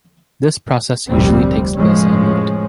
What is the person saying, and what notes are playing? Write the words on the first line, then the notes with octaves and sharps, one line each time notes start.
This process usually takes place at night.
F1 D2 A#2 G3 C4
F1 A2 F3 G#3 C#4